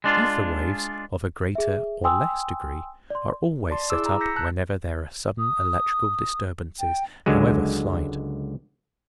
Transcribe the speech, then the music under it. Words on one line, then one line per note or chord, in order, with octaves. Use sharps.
Ether-waves of a greater or less degree are always set up whenever there are sudden electrical disturbances, however slight.
G#3 D4 F4
G#4 E5
G5 G#5 C6 D#6 E6
D5 C6
D5 A5 C6
E4 G#4 D6 E6
A#5
E6 G6 A#6 B6 C#7
A5 F#6
D#6
G5
C#2 D3 F#3 G#3